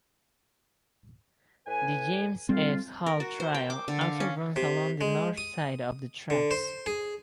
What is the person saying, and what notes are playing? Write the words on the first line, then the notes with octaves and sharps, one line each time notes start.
The James F. Hall trail also runs along the north side of the tracks.
A2 B4 G#5
F2 B2 G3 C4 F4
A#4
F#4
C5
G5
D6
D3
F5
C#4
C3
G#3
D#6
D3
C5
G#4